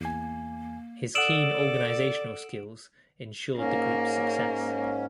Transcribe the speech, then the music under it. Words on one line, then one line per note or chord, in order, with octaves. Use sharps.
His keen organizational skills ensured the group's success.
E2 A#3 G#5
A4 D5 F#5 D#6 E6 D7 E7 F#7
G#2 A#3 C#4